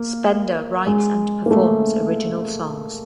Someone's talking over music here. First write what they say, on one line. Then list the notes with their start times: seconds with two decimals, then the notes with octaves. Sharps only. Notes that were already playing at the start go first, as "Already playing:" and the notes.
Spender writes and performs original songs.
Already playing: A#3
0.87 G#3
1.46 A#3
1.51 A3